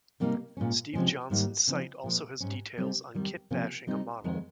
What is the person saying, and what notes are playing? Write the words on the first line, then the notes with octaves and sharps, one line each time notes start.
Steve Johnson's site also has details on kitbashing a model.
C3 G3 A#3 D#4
A#2 G#3 C#4
C3 F3 G#3 C#4
G#2 D#3 G3 A#3 D#4
C#3 F3 C4 D#4
A#2 F3 G#3
G#2 G3 C#4
C3 G3 C4 D#4
F2 D#3 G3
C3 F3 A#3 C#4
C3 G3 C4 D#4
F2 D#3 G#3